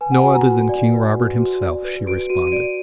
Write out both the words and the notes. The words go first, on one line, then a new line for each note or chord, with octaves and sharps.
"No other than King Robert himself," she responded.
B4 G#5
F#5
F#4 G#5
A#5
F#4
D5
B4
F#4
F#4
D5
B4
F#4 D7
F#4 D#7
D#7
D5 D7